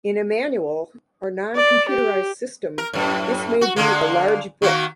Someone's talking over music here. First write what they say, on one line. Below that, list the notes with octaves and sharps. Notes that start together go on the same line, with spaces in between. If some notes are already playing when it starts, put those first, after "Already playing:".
In a manual or non-computerized system this may be a large book.
D5
G4
A#4
F#2 A2
F#4
D3 G#3 A#3
D#3 A#3 F#4